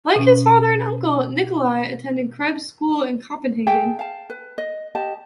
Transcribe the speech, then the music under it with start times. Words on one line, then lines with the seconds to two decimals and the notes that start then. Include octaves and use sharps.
Like his father and uncle, Nikolai attended Krebs School in Copenhagen.
0.16 B2 C#4
3.67 G#4 E5 G5 A5
3.99 F5 A5
4.30 B4
4.58 D#5
4.95 G4 D#5 A5